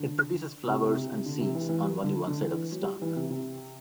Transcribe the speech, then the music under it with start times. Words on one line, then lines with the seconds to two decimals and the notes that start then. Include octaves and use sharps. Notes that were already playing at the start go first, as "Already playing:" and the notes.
It produces flowers and seeds on only one side of the stalk.
Already playing: D3
0.68 C3
0.82 C3
0.97 C3
1.12 C3
1.26 D3
1.40 C3
1.55 E3
1.69 E3
1.84 G3
2.04 D3
2.28 D3
2.43 E3
2.72 F#3
2.82 G3
3.01 E3
3.16 C3
3.30 C3